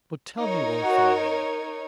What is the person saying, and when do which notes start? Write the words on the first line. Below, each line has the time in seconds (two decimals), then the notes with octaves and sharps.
But tell me one thing more.
0.39 D#4 A#4 C#5
0.83 F#4